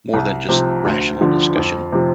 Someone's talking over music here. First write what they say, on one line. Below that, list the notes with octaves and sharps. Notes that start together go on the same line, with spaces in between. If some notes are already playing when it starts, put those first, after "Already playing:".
more than just rational discussion,
C2
C3 F3
D2
D3 F3
F2
C3 F3